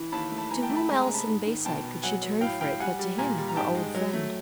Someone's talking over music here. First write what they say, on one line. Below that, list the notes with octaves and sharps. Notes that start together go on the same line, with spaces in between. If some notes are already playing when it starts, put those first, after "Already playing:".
To whom else in Bayside could she turn for it but to him, her old friend?
Already playing: E3
D#2 A5 B5
A3
A5 B5
E3 G#5 A#5
G5 A5
A3
A5 B5
G#3 G#5 A#5
G#5 A#5
C3
A5 B5
G#2
D#3
B2 G5 A5
B2
F#3 F#5 G#5
F#3
A2 F5 G5
A2 F5 G5
G3 F#5 G#5
G3
A#2 G#5 A#5
G3
A#5
G#2 G5 A5
G#3
F#3
A3